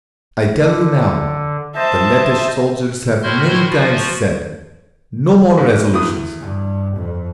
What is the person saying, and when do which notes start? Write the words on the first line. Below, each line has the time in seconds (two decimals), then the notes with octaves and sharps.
I tell you now, the Lettish soldiers have many times said, 'No more resolutions!
0.62 D3
1.76 C5 D#5 E5 A5
3.23 A2 E4 F#4 C6 F6 G6
3.70 F3 F4 F#4
5.57 G#2
5.93 E2 D#6
6.40 G2
6.97 F2